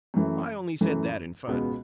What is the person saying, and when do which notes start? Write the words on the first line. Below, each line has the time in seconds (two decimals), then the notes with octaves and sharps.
"I only said that in fun."
0.14 F#2 E3 A3
0.81 F#2 E3 A3
1.47 C#2 B2 G#3 B3